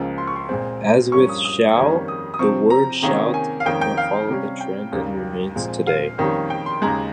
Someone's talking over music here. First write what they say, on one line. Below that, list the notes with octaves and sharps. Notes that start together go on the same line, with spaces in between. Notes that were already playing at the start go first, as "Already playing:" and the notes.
As with "shall", the word "shalt" did not follow the trend and remains today.
Already playing: C#2 C#3 F3 A#3
C6
C#6
C6
A#2 G#3 C4
G2 F3 A#3 C#4 C#6
D#6
D#6
F2 D#3 G3 A#3 C#4
D#6
D#6
C3 F3 C4 C#6
A#5
C3 D#3 A#3 C#4
G#5
F5
F2 D#3 A#3 C#4 G5
G5
F5
C3 G3 C#4
G5
D#2 C#3 G3 A#3
A#2 F3 G#3 C4
F5
F2 D#3 G3 A#3 C#4
G5
C6
D#2 C#3 G#3 A#5